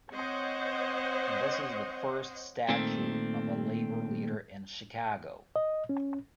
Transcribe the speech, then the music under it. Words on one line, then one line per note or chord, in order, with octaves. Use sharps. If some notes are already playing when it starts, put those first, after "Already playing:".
This is the first statue of a labor leader in Chicago.
C4 C5 C#5 D#5 F#5
A#2 D#3 A3 C4
D#5
C#4